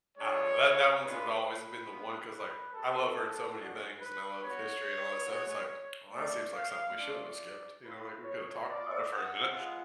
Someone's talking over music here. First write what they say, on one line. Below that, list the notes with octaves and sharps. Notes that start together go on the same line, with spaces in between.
I don't know, that that one's a the always been the one 'cause, like, I love her in so many things, and I love history and all that stuff, it's like, "Well, that seems like something we shouldn't have skipped, you know? Like, we could've talked about it for a minute,"
G#3 D4 F4 C#5
G#3 D4 F4 B4
B4
B3 F4
B4
G#3 C#4 F#4 A4
A4
G#3 D4 F#4
B4
B3 F#4 C#5
G#3 B3 F#4
A3 F4 D5
F5
A3 D4 F4 D5
A3 F4 B4
C#5
B3 F4 D5
F#5
G#3 B3 F4